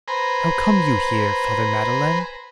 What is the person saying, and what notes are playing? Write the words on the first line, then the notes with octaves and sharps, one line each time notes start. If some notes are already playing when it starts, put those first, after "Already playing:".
How come you here, Father Madeleine?
B4 C5 G#5 A#5